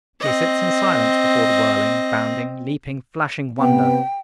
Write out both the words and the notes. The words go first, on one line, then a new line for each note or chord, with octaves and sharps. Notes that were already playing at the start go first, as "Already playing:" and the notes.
He sits in silence before the whirling, bounding, leaping, flashing wonder.
C4 D#5
C3 B3 G5